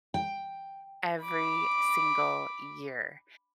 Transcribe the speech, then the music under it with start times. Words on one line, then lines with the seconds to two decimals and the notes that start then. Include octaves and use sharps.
every single year,
0.14 G5
1.23 B5 D6